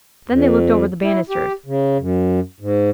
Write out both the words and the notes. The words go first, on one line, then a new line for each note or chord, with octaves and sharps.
Then they looked over the banisters.
F2
E4
G4
C#3
F#2
G#2